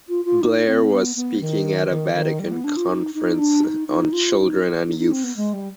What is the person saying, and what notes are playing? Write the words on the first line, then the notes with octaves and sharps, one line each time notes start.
Blair was speaking at a Vatican conference on children and youth.
F4
F4
D#4
C4
B3
B3
D#3
D#3
D#3
G3
B3
D4
F4
D#4
D#4
D4
D#4
D#4
F4
D#4
D#4
D#4
C4
B3
G#3
G3